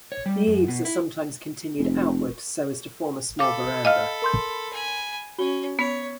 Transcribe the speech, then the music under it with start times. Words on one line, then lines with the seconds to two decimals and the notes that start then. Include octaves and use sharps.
The eaves are sometimes continued outward so as to form a small verandah.
0.12 C#5
0.26 G3
0.47 F#2
0.68 B2
0.85 E4
1.78 F1
3.39 A4 F5 B5 D6
3.85 D#5 F5 F6
4.22 A#4 C6 G6
4.73 G#5 B5
5.38 C#4 F#4 G7
5.79 B3 C#5 B6 F7